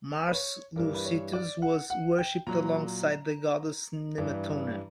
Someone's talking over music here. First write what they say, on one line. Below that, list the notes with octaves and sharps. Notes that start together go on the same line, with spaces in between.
Mars Loucetius was worshipped alongside the goddess Nemetona.
B4
C#5
G2 E3 G3 A#4
B4
C#5
D5
F#5
F#5
G5
A#2 F#3 A#5
G2 E3 G3